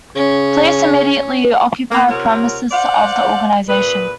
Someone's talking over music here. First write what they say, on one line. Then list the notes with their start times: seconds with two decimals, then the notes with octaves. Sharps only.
Police immediately occupied premises of the organisation.
0.15 C#3 C#4
1.90 A#3
2.08 C3 F4 A#4 C#5 F#5
2.71 C5 D5 F5 F#5
3.68 A#2 G#4 B4